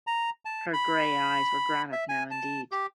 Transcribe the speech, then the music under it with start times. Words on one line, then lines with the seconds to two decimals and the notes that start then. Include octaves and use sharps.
Her gray eyes were granite now indeed.
0.07 A#5
0.45 A5
0.73 B5
1.92 E5
2.09 G#5
2.31 A5
2.72 G4